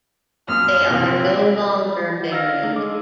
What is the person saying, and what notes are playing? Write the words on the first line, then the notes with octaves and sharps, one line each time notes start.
They are no longer married.
F#2 A#2 D#6 F6
C3 E3 A#3 C4
F#4
F5 E6 F6 A#6
A3 D4 D#4
G#3 D6